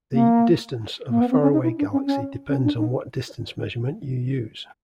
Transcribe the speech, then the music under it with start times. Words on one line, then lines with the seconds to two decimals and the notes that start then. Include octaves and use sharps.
The "distance" of a far away galaxy depends on what distance measurement you use.
0.13 A#3
1.10 A#3
1.21 B3
1.31 C4
1.42 C#4
1.53 D#4
1.63 E4
1.78 D4
1.92 C#4
2.07 C#4
2.49 C#4
2.64 D4
2.78 D#4